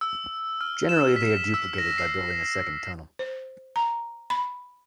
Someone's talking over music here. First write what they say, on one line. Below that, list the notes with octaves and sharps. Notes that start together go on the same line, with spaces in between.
Generally they are duplicated by building a second tunnel.
E6
F6
E7
B6
E6
A#6
C7
C5
A#5
B5